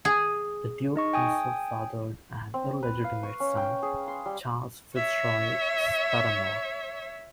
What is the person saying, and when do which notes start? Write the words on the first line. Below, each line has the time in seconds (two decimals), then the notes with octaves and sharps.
The Duke also fathered an illegitimate son, Charles FitzRoy-Scudamore.
0.05 G#4
0.96 D#4 D#5 C#6
1.13 G5 G#5 D#6
2.54 C4
2.83 B4
3.04 F5
3.23 C#6
3.40 C#4
3.57 G5
3.83 G#4
4.08 C6
4.26 G3
4.95 C#5 E5